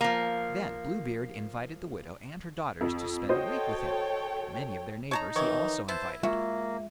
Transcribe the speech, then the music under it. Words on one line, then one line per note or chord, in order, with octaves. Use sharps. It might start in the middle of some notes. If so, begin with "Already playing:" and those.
Then Bluebeard invited the widow and her daughters to spend a week with him, and many of their neighbours he also invited.
F3 A#3
F2
F#4 A4 C5 C#5 D#5 G5
D#4 C#5 A5 A#5
D#3 E3 C#5
B3 E4 C5 A5
G#3 A#3 F4 F#4 E5